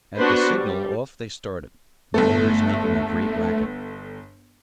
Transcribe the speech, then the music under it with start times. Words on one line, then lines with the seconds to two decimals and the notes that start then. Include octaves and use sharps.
At the signal off they started, the motors making a great racket.
0.17 B3 D4 F#4 B4 C5
0.54 G3
2.14 G1 A3 B3 A4